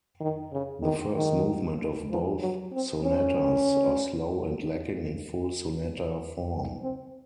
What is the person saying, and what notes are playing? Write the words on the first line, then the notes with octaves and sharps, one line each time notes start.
The first movement of both sonatas are slow and lacking in full sonata form.
D#3
C#3
D#3
D#3
F3
F#3
C4
C#4
C4